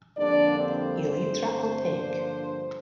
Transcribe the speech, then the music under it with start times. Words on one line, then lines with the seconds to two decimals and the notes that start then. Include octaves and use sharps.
Elytra opaque.
0.17 F2 D3 G3 A#3 D4 D5
0.59 C4 C5
1.02 G2 D3 A3 C4
1.86 G2 D3 F3 A#3 D4